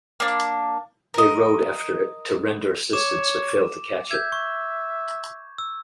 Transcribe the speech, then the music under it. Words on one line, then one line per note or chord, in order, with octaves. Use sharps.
They rowed after it to render assistance but failed to catch it.
A#3 D4
A#4 D#5
C#5 D6 E7
E5 G6 G#6
C#6
E6